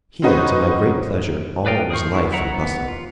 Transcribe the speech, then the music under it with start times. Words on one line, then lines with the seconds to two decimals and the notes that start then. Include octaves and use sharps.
Here, to my great pleasure, all was life and bustle.
0.22 C4 C#4 D#4 F#4 B4 C5
1.66 B4 D5 D#5 F5 G5
1.90 G#4 A#4 C5 C#6
2.13 D3 E4
2.32 F#3 E4 E5 F#5 A#5
2.54 B3
2.88 F4